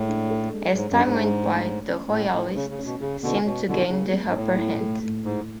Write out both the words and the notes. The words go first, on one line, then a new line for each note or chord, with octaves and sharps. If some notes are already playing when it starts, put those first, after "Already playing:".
As time went by, the Royalists seemed to gain the upper hand.
Already playing: A2 G#3 C#5
D4
A4
G#3
G#2 C#5
F#2
D4
G#2
G#4
A3
C#5
C#4
A2 G#4
A2 A3
C#3 C#5
C#3
C#4
B2
C#3 G#4
B2 D3 B3
B2 C#5
B2 D3 E4
C#3 G#4
B3
G#2
A2 C#5
E4
A3
A2
G#2 E4